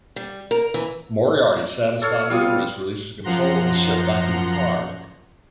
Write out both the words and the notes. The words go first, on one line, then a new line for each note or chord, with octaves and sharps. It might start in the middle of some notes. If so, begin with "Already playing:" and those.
Moriarty, satisfied with the ruse, releases control of the ship back to Picard.
G3
A#4
E3
A4 C#5 F5
G3 B3 F4 F5 D#6
F#2 F3 F#5 A#5 C6